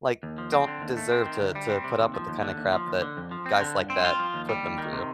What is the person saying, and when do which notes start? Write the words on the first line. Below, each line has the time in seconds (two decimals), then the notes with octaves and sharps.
like, don't deserve to to put up with the kinda crap that guys like that put them through.
0.23 D#2
0.38 F3
0.52 C4
0.67 D3
0.82 D#2
0.97 A3
1.11 C4
1.26 D#3
1.40 D2
1.55 G3
1.70 C4
1.84 C3
2.00 D#2
2.14 F3
2.29 D#2
2.43 D3
2.58 D#2
2.73 F3
2.87 D#2
3.02 D3
3.17 F2
3.31 F3
3.46 C4
3.61 D3
3.75 G2
3.90 C4
4.05 F4
4.19 F3
4.34 D#2
4.49 G3
4.63 D#2
4.78 D#3
4.93 C3